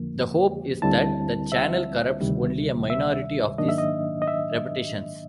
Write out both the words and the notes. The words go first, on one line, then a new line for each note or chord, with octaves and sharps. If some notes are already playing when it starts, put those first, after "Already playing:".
The hope is that the channel corrupts only a minority of these repetitions.
Already playing: F2 D3 F3 A#3
D2 D3 G3 C4 E4 A5
E5
D2 C3 D#3 G3
E5
G#2 D#3 F#3 A#3 D4 D#5
E5
D#5
D#5
E5